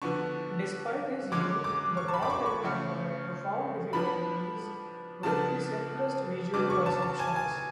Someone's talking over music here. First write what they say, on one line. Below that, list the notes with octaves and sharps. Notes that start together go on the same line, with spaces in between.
Despite his youth, the boy encountered profound difficulties with the simplest visual perceptions.
D3 F3 B3 D4 C#6
D3 G#3 C#4 D6
D6
C#6
A5
B5
D6
C#6
C#6
C#3 F3 A3 C#4
F3 B3 D4 B5
C#3 F3 B3 D4 A5
C#3 F#3 B3 D4 D6
C#6
A5
A5
G#5
A5
G#5